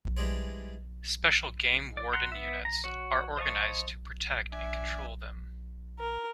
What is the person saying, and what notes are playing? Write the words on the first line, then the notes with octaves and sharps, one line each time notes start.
Special game warden units are organized to protect and control them.
E3 G3 G#3 D4 G#4 C5
D5
F#5 A#5 C6
B3 E5
A#5
F#4 C#5
C5 D#5 F5 A5 C#6
D4 E5 G#5
A#4